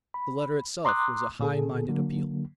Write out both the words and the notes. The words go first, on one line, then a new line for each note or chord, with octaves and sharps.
The letter itself was a high minded appeal . . . .
B5
A#5 C6 D6 D#6 F#6
A#2 D3 G#4 A4
D3 F#3 A#3